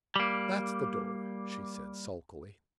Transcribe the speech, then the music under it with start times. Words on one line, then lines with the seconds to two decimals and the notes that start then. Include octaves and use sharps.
"That's the door," she said sulkily.
0.16 G3 A#3